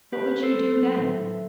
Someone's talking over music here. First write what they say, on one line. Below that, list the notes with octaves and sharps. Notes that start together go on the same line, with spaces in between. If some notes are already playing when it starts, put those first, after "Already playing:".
"What would you do then?"
B3 G4 B4
B3
A4 C5
F#3
B3
A2
A2